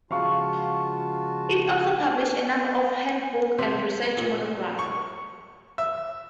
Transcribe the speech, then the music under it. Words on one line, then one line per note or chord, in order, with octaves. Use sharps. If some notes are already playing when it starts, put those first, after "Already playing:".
It also publishes a number of handbooks and research monographs.
C#3 F3 G#3 F4 F#4 F5 A5 C#6
C3
A#2
C#6
E5